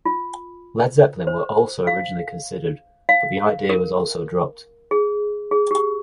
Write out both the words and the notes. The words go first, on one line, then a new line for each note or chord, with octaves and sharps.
Led Zeppelin were also originally considered but the idea was also dropped.
F4
C5
F5
F5
A#4
G#4
G#4
G4